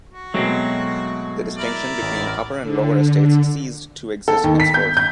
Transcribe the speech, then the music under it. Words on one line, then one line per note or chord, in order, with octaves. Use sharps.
The distinction between "Upper" and "Lower" estates ceased to exist henceforth.
F#4
B2 F#3 G#3 A3 C4
E4 A#4 D5
A1
D3
A4
D#2
B6
G6
G6